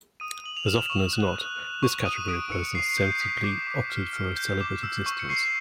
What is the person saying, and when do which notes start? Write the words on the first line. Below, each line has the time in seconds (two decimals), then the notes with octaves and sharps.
As often as not, this category of person sensibly opted for a celibate existence.
0.20 D#6 D#7
0.44 D#6 F#7
0.57 F7
0.67 F6 E7
0.90 C#6
1.13 F#6
1.36 F#6
1.59 F#6
1.83 C#6
2.05 D#6 D#7
2.28 D#6 D7
2.51 C#6 C#7
2.75 C#6 C7
2.98 G6
3.21 D#6 B6
3.44 D6 B6
3.67 D6
3.90 F6
4.13 F6
4.36 G6
4.61 D6
4.83 E6
5.06 C#6
5.19 C#7
5.29 C#6 C7